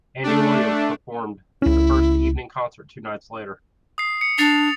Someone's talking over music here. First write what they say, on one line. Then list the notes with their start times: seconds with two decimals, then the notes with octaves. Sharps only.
Andy Williams performed the first evening concert two nights later.
0.23 A3 D4
1.62 C#2 C#4 E4
3.98 D#6 C7
4.21 C#7
4.38 D4 A6 C7 F7